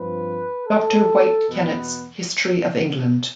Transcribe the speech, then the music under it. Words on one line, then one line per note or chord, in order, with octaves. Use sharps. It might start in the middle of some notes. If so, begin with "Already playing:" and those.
Doctor White Kennett's "History of England".
Already playing: G2 F3 C4 B4
A4
E2 B2 B3